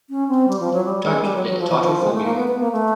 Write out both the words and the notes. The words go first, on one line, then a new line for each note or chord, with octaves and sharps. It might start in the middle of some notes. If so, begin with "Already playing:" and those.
Don't let the title fool you.
C#4
C4
G3
F3
F#3
G3
G#3
G3
F#3
F#3
F3
E3
F3
G#3
A3
A#3
B3
B3
A#3
A3